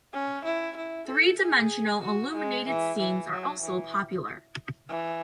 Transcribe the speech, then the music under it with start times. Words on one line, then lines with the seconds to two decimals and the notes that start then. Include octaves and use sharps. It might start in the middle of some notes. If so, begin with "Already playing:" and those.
Three-dimensional illuminated scenes are also popular.
0.13 C#4
0.44 E4
0.76 E4
1.08 A4
1.40 G#4
2.03 F#4
2.35 G#3
2.67 E3
2.99 E3
3.30 F#3
3.62 E3
4.89 E3